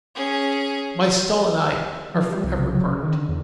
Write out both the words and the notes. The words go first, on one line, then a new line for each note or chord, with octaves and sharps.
My stall and I are for ever parted.
C#4 G#4
F3
G3
C2
C#3
F#3
C#3
D#3
D3
E2